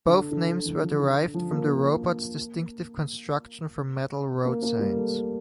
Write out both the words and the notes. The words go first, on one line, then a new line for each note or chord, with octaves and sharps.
Both names were derived from the robot's distinctive construction from metal roadsigns.
D3
D3
D3
E3
F3
D3
F3
A#3
A#3
A#3
A#3
G3
A3